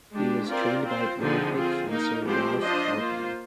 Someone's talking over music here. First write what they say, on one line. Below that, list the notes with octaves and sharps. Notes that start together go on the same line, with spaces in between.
He was trained by Olympic fencer Ralph Faulkner.
G#3 D4 G4
C4 F4 A#4 D5
C4 F4 C5
D3 F3 C4 D#4 G#4
C4 F4 G#4
A#3 D#4 A#4
F3 G#3 C4 G4 C5
D4 F4 C5 D#5
A#3 F4 C5